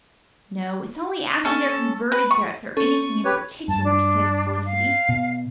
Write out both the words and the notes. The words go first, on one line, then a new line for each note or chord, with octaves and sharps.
"No, it's only after they're converted that they're anything in particular," said Felicity.
C#4 A4
B4
C#6
C#4 A4 C#6
G4 B4 C#5
G2 A5
D4
F5
B2